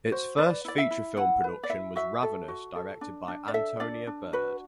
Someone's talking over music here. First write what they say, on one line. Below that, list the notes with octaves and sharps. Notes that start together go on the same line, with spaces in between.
Its first feature film production was "Ravenous", directed by Antonia Bird.
F#4 C5
B4 D5
E4 D5
E5
E4
E4 F#5
B4
D5
E4 E5
F#4 E5
A4
F#4
A4
D4
D4
D5
A4 E5
D4 D5
D4
F#4 B4